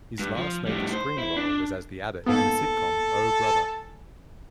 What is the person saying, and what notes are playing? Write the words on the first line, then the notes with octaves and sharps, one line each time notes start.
His last major screen role was as the Abbot in the sitcom Oh, Brother!
G2
F3
A2 G3
C5
E4
D4
G#2 A#3 B3 A4
G#5